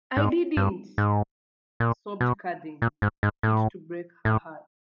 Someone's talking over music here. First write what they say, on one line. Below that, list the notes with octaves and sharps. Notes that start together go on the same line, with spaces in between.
'I didn’t!’ sobbed Cathy, fit to break her heart.
G#2
G2
G#2
A#2
B2
A#2
G#2
G#2
A2
A2